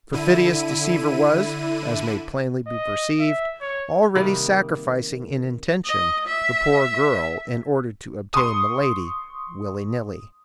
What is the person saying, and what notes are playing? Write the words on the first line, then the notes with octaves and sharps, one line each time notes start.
The perfidious deceiver was, as may plainly be perceived, already sacrificing, in intention, the poor girl in order to obtain Milady, willy-nilly.
D3 E4 D#7
D#5
E5
C#5
C3 D#3 G3 A#3
D#5
E5
C6 C#6 D#6